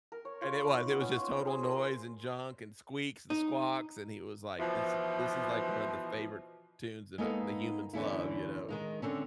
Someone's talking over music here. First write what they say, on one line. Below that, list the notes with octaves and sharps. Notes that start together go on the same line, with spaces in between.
and it was. It was just total noise and junk and squeaks and squawks, and he was like, "This is This is, like, one of the favorite tunes that, uh, the humans love, you know and"
A#4
C#5
F4
B5
D#4
B3
C#4
F4
C4
G#4
A#4
C6
D#4
B2 E3 F3
G#3 A#3 B3 D#4 A4
E2 D3 C#4 E4
D#3 G#3 D#4
D3 C4 C#4